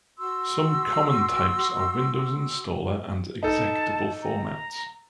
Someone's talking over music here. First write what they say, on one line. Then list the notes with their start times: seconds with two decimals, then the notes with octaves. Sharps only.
Some common types are Windows Installer and executable formats.
0.18 F#4 C6 E6
3.43 D#4 A4 A5
4.22 A#5